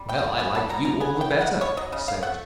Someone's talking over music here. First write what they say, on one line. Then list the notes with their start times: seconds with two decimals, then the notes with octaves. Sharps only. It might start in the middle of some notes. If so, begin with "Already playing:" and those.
"Well, I like you all the better," he said.
Already playing: G3
0.09 B2 G5
0.24 B2
0.39 B3 G#5
0.55 G3 A5
0.70 B2 A#5
0.85 B2 A#5
1.00 B3 G#5
1.16 F#3 G5
1.31 C#3
1.41 F#5
1.46 C#3
1.61 B3 C#5
1.77 F#3 D#5
1.92 C#3 D#5
2.08 C#3 F5
2.23 A3 F#5